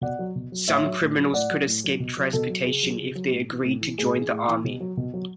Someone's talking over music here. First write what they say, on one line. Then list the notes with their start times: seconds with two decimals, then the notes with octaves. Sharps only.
Some criminals could escape transportation if they agreed to join the army.
0.01 B2 D5 F#5
0.19 F#3
0.36 B2
0.52 F#3
0.68 A2 C#5 E5
0.84 F#3
1.01 A2
1.17 F#3
1.33 A2 D5 F#5
1.50 F#3
1.67 A2
1.84 F#3
2.00 B2
2.17 F#3
2.33 B2 A4
2.49 F#3
2.66 C#3 G#4
2.83 F#3
2.99 C#3
3.15 F#3
3.32 A2
3.49 E3
3.65 A2
3.81 E3
3.98 A2 G#4
4.15 E3
4.31 A2
4.48 E3
4.64 B2
4.80 F#3
4.97 B2
5.14 F#3